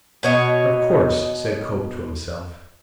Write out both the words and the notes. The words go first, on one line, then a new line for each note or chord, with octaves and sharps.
"Of course," said Cope to himself.
B2 C#5 D#5